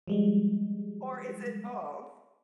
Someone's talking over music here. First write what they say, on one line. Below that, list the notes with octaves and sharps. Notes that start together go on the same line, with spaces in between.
Or is it both?
F3 G3 G#3